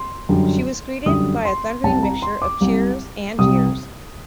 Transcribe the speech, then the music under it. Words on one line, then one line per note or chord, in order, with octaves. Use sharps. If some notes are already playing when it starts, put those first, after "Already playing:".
She was greeted by a thundering mixture of cheers and jeers.
Already playing: C6
F#2 D3 G3
F#2 D3 G3 D#6
C6
C2 C3 G3 A5
A#5
C6
D6
C2 C3 G3
C2 C3 G3 D#6